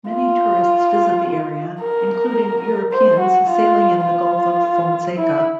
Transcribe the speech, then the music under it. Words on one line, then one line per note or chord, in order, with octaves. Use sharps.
Many tourists visit the area, including Europeans sailing in the Gulf of Fonseca.
F4
A#4
C5
F#4
F4
F4
E4